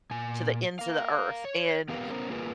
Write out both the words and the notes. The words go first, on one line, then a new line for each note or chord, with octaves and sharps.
to the ends of the earth, and,
A#2 G#5
A#4 F5
C#5
B3 G4 A#4 B4 F5
B3 C#4 A#4 C5
A#3 F4 G#4 A#4 B4